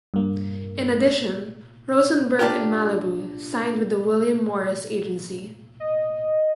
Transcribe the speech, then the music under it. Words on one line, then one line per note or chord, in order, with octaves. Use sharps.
In addition, Rosenberg and Malibu signed with the William Morris Agency.
G2 A#3
D4 F4 G4 A#4
D#5